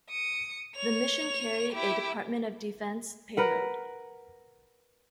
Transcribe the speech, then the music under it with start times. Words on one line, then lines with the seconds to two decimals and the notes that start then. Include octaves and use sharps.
The mission carried a Department of Defense payload.
0.10 D#6 C#7
0.75 C#5 F7
1.73 E4 G4
3.37 A#4 B4 F#5